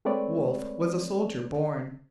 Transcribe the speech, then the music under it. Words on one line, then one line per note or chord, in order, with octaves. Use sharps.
Wolfe was a soldier born.
G#3 A3 C4 B4 C#5 D5